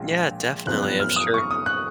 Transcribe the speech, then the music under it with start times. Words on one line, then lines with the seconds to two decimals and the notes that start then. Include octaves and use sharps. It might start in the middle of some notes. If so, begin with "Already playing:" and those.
Yeah, definitely, I'm sure
Already playing: A#1 A#2 G#3
0.66 G#1 F#2 F3 B3 F4 F#6
0.83 F#6
1.00 F6
1.16 D#6
1.34 C#6
1.51 D#6
1.66 F#6